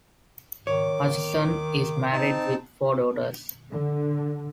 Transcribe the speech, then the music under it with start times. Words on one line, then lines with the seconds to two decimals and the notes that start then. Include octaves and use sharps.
Hutchison is married with four daughters.
0.67 D#3 C#5 D6
2.12 C4 D#4 A5
3.71 D3